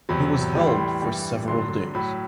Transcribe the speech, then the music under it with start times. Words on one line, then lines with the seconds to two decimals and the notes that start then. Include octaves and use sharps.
He was held for several days.
0.09 E2 C3 F#3 B5
0.55 A2 E3 G3 B5
0.67 C6
0.78 B5
1.02 G2 E3 G3
1.48 G2 D3 F#3 C6
1.95 A2 F#3 B5